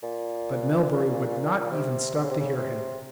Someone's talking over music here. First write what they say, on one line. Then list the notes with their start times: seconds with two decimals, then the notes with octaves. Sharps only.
But Melbury would not even stop to hear him.
0.03 A#2
1.71 C3
2.14 D3
2.23 C#3
2.31 C3
2.40 C#3
2.56 C3